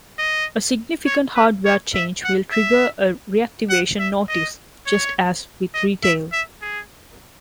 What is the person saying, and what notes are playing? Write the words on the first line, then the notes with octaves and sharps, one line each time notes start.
A significant hardware change will trigger a reactivation notice, just as with retail.
D#5
C#5
B4
C#5
E5
F#5
E5
F#5
E5
D#5
C#5
D#5
E5
E5
G#4